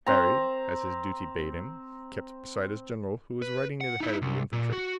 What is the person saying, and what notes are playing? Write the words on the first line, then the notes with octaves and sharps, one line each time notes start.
Harry, as his duty bade him, kept beside his general, who was riding near the head of the infantry.
C4 A#5
B4
F#5
D#4 E4
C2
A#2
F#4